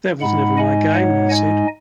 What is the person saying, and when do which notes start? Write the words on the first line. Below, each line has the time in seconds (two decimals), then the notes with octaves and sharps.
"That was never my game," he said.
0.21 G#2 G#3 D#4 F#5 B5
0.57 D#5 G#5
0.93 C#5 F#5
1.29 D#5 G#5